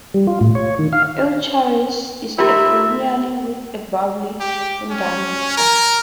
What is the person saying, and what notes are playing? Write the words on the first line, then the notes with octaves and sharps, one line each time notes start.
"Eucharis" is a perennial with a bulb in diameter.
G3
F4
A2
C#5
D#3
F5
D#3 A3 F4 G4 E5 B5
G4
C#4
A#4